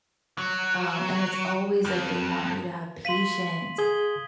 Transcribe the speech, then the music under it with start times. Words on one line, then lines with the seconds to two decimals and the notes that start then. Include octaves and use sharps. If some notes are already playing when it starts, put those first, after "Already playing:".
um, and it's always like they want you to have patience,
0.38 F#3
1.85 F2
3.05 F5 C6 B6 D#7 F#7
3.78 G#4 D#6 G#6 G7